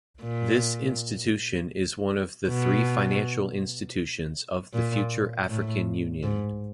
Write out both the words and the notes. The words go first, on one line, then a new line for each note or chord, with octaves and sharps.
This institution is one of the three financial institutions of the future African Union.
A#2
B2
A#2
A2
G#2